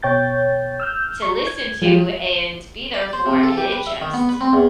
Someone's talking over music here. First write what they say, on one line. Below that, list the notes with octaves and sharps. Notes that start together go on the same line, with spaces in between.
to listen to, and be there for, and it just
B2 C#5 G5 G6 A6
E6 F6 G6
C#6
G#6
F3 F#3 G#3 F4 G4
D5
C5
C3
A4
G4
B4
E5
D#3
B3
B4
C4
E2